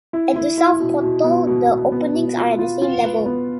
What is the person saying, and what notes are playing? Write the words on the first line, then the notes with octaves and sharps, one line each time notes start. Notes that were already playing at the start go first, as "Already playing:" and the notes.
At the South portal the openings are at the same level.
E4
E4
E4
B2
B2
B3
B2
B2
B3
B2
F4
F4
F4
B4
B3